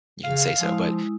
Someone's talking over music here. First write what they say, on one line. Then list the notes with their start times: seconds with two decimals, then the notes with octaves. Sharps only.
you can say so, but
0.24 C#3 F5
0.61 F3 G#3 E4 D#6